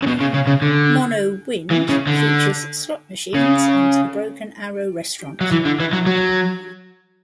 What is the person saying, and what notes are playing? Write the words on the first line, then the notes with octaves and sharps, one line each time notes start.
Mono Wind features slot machines and the Broken Arrow Restaurant.
C#3
B2
C#3
C#3
C#3
D3
E3
C#3
D3
C#3
F#3
E3
D3
E3
F#3
F#3